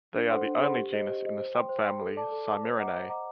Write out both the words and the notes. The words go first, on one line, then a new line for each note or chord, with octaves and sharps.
They are the only genus in the subfamily Saimirinae.
D4
A4 C5 F#5 C6
D4
A4 C5 F#5 C6
G4
C5 D#5
G4
C5 D#5
C5
G5 C6
C5
G5 C6
A4
D5 A5 D6
A4
D5 A5 D6
C5
D#5 F#5 A#5 D6
C5
D#5 F#5 A#5 D6